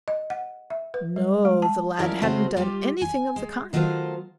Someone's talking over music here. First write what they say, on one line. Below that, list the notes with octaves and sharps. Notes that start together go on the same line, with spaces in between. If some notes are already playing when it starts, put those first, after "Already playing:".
No, the lad hadn't done anything of the kind.
D#5
F#5
E5
B4
G3
G#3
A5
F3 F#3 C#4 E4 A#4 D5
C#3 A3 C4 F4 F#4 C5
G3 F4 G4
G#5
G#3
D#3 F#3 A3 F4 C5